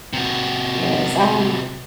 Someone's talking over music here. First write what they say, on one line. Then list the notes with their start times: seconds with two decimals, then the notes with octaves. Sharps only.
Yes. I'm
0.13 C3 F#4